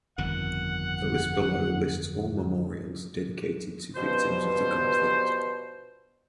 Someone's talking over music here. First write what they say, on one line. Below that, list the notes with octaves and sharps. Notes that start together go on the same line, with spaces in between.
The list below lists all memorials dedicated to victims of the conflict.
G1 F2 D#3 F#5
G2 B2 F3 C5